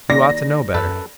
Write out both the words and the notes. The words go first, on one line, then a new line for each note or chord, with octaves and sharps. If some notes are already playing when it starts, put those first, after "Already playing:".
You ought to know better.'
D#2 D5 A#6
F#2 A4 B4